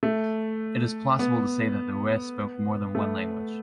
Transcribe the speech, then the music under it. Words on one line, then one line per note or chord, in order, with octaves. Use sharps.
It is plausible to say that the Yue spoke more than one language.
A3
B3
A3